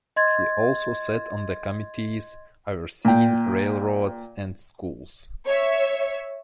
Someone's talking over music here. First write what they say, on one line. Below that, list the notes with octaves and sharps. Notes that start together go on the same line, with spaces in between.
He also sat on the committees overseeing railroads and schools.
D#5 C6 G#6 A6
A#2 G5
C#5 E5